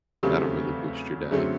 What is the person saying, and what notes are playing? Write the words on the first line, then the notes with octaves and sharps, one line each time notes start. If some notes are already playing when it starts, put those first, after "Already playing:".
That'll really boost your day.
E2 C#3 F#3 A3 C4 G4
F#2 D3 F#3 A3 C4 G#4